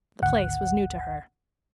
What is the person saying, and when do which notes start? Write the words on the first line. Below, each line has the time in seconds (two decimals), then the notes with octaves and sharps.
The place was new to her.
0.22 G#1 D2 F#5